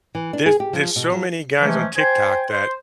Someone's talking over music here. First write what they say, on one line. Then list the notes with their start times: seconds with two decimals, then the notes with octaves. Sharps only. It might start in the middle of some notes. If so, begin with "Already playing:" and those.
There's there's so many guys on TikTok that
0.15 E3
0.33 D4
0.46 G#4
0.60 G4
0.73 F3
0.96 B2
1.12 F3
1.60 E3 F3 G#3 A3 C#4 D#4
1.96 C5 G5 G#5
2.49 C5